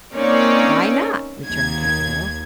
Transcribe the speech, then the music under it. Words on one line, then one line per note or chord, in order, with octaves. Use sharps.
"Why not?" returned Cap'n Bill.
A#3 C4 C#4 D#4 C#5 D5
D#2 G#6